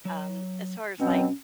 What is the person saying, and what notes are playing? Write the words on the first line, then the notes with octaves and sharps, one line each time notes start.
Um, as far as, like
F#3 C#5 A#5
B2 F#3 C4 C#4